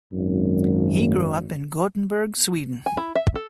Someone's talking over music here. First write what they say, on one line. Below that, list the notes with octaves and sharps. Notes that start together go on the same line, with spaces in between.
He grew up in Gothenburg, Sweden.
G#1 F#2
G#5
E4
E5
A4